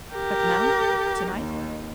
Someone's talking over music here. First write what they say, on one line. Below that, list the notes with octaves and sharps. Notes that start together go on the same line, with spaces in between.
"But now--tonight?"
G4 A#4
D#2